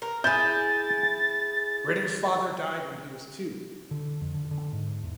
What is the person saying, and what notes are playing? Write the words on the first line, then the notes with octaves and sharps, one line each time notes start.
Ritter's father died when he was two.
A#4
E4 G#4 G6 A6
D3
F2
D3
D3
G#2
E2